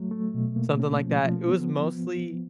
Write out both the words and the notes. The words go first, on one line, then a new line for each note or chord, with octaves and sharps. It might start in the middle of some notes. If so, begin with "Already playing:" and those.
something like that, it was mostly
Already playing: F#3 A3
A3
B2
A#3
C#4
F3
F3
B3